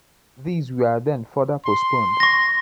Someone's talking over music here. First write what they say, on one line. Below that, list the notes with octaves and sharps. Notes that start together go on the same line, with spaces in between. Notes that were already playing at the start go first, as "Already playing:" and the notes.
These were then further postponed.
C6
C#6 A#6